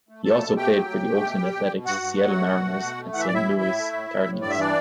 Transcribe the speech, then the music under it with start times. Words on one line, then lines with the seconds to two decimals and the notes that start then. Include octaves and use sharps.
He has also played for the Oakland Athletics, Seattle Mariners, and Saint Louis Cardinals.
0.09 A3
0.25 A3 A4 A5
0.42 B2
0.57 A3 G4 G5
0.73 F#3
0.89 A3
1.05 A3
1.22 B2
1.38 G3
1.53 B2
1.69 B2
1.85 G2 F#4 F#5
2.01 G2
2.17 F#3
2.33 A3
2.50 B2
2.65 A3
2.81 B2
2.97 A3
3.13 E3 F#5
3.20 E5
3.27 D5
3.30 A2 E4 E5
3.45 E3
3.61 A2
3.78 A3
3.93 A2
4.10 A2
4.25 A2
4.41 G2 D5
4.50 E5
4.57 E3 D4 D5